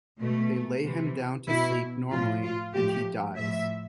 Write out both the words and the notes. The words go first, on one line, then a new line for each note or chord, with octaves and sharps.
They lay him down to sleep normally, and he dies.
B2 A3
C3 E3
B2 E4
A2 F3 F4
F4
A2 F3 G4
A2 F3 E5